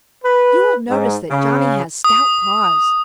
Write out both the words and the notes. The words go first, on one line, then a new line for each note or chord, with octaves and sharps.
You will notice that Johnny has stout claws.
B4
G#2
C#3
D#6